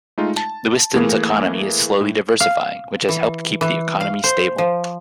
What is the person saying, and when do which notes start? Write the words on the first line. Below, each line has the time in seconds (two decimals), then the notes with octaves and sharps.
Lewiston's economy is slowly diversifying, which has helped keep the economy stable.
0.18 G#3 A3 D#4 F4
0.37 A5
0.94 E3 A3 A#3 G#4 A#4
2.01 A2
2.40 F5
3.09 E3
3.61 E3
4.01 F5
4.24 C5
4.58 F3